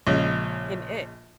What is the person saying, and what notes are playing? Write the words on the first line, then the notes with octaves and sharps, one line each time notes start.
And It.
A#1 C#3 G#3